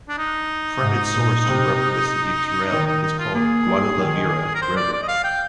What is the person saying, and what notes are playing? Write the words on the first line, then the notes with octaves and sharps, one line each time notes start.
From its source to roughly the city of Teruel, it is called "Guadalaviar" river.
D4
D#4
G#2
A#2
C3
D#3
D#4
D#4
F4
A#3 G#4
G3
D#3
A#4
C5
D5
D5
D#5
F5
G5